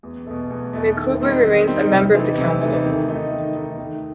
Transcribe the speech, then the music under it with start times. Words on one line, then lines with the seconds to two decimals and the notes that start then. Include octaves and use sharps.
McCoubrey remains a member of the Council.
0.03 E2
0.26 B2 A3
0.50 E2
0.73 B2 A3
0.96 D#3
1.21 G3 C4 D#4
1.43 D#3
1.67 G3 C4 D#4
1.91 C3
2.14 E3 A3 D#4
2.38 C3
2.61 E3 A3 D#4
2.85 D#3
3.08 A3 D#4
3.31 D#3
3.55 A3 D#4
3.78 D#3